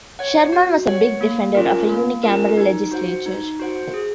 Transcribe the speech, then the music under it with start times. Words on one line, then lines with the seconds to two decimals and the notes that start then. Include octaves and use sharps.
Sherman was a big defender of a unicameral legislature.
0.19 C#5 F#5
0.52 F#4
0.87 C#5 F#5
1.21 A#3
1.55 C#4 F4 A#4
1.90 A#3
2.23 C#4 F4 A#4
2.57 D#4
2.91 F#4 C5 F#5
3.26 D#4
3.60 F#4 C5 F#5
3.94 G#4